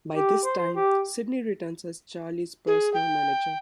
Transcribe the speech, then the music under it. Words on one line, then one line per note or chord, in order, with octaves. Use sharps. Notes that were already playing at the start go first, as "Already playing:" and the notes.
By this time, Sydney returns as Charlie's personal manager.
G4
C5
C5
G4
G#4
G5